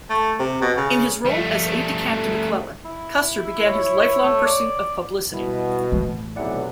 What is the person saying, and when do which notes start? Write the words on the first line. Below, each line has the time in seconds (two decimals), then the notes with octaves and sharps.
In his role as aide-de-camp to McClellan, Custer began his life-long pursuit of publicity.
0.10 A3
0.39 C3
0.62 B2
0.77 C#3
1.25 G3 A3
2.85 E4
3.66 C#5
4.23 A3
4.45 D5
5.32 B2 G3 E4
5.92 A1 A3
6.36 B1 C3 E3 D5 F#5